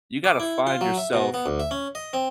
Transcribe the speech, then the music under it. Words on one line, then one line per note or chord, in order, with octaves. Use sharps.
You gotta find yourself
D6
E4
F4
F#3
E5
B2
B3
D2
E5
C#4
D#5
C4